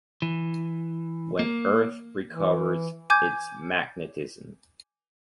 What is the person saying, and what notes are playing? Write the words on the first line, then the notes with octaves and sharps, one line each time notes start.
When Earth recovers its magnetism.
E3
A#3
E3
G#5 D6 G6 G#6